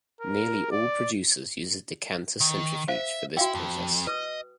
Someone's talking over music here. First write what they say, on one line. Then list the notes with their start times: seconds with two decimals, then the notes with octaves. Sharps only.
Nearly all producers use a decanter centrifuge for this process.
0.20 A#4
0.71 D5
2.41 D#3
2.88 C5 E5 F5
3.37 E4 F#4 F5 G5
3.55 F2
4.07 B4 D#5 D#6